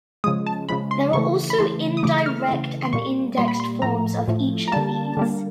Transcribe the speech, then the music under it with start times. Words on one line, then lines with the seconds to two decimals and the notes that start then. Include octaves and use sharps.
There are also indirect and indexed forms of each of these.
0.24 C#3 F3 G#3 D#6
0.46 A5
0.69 C#3 F3 G#3 B5
0.91 C6
1.13 C#3 E3 A3 C#6
1.50 B5
1.59 C#3 E3 A3 C6
1.97 D#6
2.03 C#3 E3 A3 D6
2.26 F6
2.48 C#3 E3 A3
2.85 C6
2.93 A#2 G3 A#3 C#6
3.37 A#2 G3 A#3 C6
3.48 B5
3.60 C6
3.82 A2 F3 A3 A#5
4.28 A2 F3 A3
4.68 A#5
4.72 D3 G3 A#3 A5
5.17 D3 G3 A#3